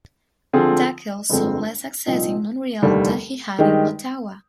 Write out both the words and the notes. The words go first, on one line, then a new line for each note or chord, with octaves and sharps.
Dackell saw less success in Montreal than he had in Ottawa.
D3 F3 C4 F4 G#4
G1 F2 D3 G#3 C4
C2 A#2 F3 C4 D#4
F1 D#2 D3 G3
G2 D#3 G#3 D#4 G4